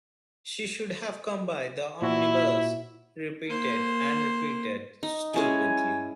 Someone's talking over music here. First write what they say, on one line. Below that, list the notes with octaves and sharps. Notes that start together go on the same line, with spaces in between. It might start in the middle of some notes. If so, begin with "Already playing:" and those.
"She should have come by the omnibus," he repeated and repeated stupidly.
A#2 E4 F#4
A#3 C5
D#4
G#3 C#4 E4 G#5